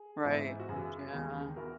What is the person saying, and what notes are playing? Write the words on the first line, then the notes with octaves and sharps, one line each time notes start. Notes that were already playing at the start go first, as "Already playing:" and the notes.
Right. Yeah.
Already playing: G#4
G#2 E3 B3 E4
F#4
F#2 C#3 E3 G#4
D#2 D#3 G#3 B3
E3 B3 F#4 A#4